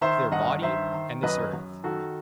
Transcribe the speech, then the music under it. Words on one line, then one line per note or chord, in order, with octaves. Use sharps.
To their body and this earth.
D#3 C5 E5
G2 D#5 F#5
D#3 C5 E5
D#3
F#2 B4 D#5
F#2
D#3 F#4 A4